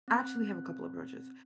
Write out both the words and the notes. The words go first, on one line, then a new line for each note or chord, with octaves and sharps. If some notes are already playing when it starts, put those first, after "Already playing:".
I actually have a couple of approaches.
C4 F#6